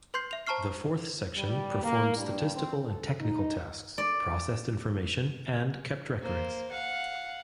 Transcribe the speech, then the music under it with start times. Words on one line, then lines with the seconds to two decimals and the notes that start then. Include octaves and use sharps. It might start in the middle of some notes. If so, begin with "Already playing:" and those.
The fourth section performed statistical and technical tasks, processed information, and kept records.
0.14 B4 C6 G6 C7
0.31 E5 F7
0.47 C5 A5 A#5 C#6 F6 C7
1.37 G3
1.83 A#3
2.17 G2
2.55 C4
2.85 A4
3.20 D#4
3.98 D5
6.22 A#3 C5
6.71 F5 F#5